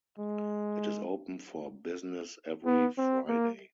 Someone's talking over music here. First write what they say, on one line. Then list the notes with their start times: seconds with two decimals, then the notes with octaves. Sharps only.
It is open for business every Friday.
0.19 G#3
2.66 B3
2.98 C4
3.28 A#3